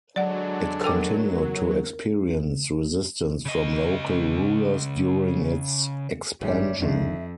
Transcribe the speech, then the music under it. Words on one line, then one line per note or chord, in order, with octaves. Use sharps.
It continued to experience resistance from local rulers during its expansion.
D3 F#3 G#3 D4 D5 F#5
A4 A#4 G5 D6
C#3 D#5
G#1 G#2 G3 G#3 D4 C#5 E5
F#1 F2 D3 D#3 E5